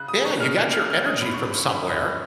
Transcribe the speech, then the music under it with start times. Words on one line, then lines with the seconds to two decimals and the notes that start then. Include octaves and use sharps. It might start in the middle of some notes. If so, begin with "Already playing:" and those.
Yeah, you got your energy from somewhere.
Already playing: C#3 F#6
0.08 D#6
0.25 G#3 C#6
0.40 F6
0.57 A#3 F#6
0.73 F6
0.90 C#4 F6
1.06 D#6
1.22 F#3 B5
1.34 C#6
1.45 B5
1.54 C#4 C#6
1.69 B5
1.86 F3 D#6